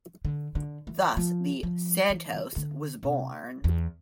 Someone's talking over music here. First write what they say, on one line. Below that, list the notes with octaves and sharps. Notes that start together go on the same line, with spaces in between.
Thus the "Santos" was born.
D3
D3
E3
F3
F3
E3
D3
C3
E2